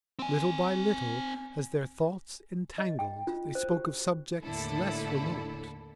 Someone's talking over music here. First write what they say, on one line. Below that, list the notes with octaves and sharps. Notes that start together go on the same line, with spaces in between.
Little by little, as their thoughts entangled, they spoke of subjects less remote.
C4 G#5
D#5
G5
F4
C5
G4
D#2 A2 D3 E4 A4